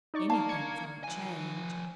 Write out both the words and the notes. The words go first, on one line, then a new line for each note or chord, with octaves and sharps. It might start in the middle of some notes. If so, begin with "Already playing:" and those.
Anything for a change.
D#4 D5 C#6
F5 A5 A#5
G#6 C#7
F3 G#5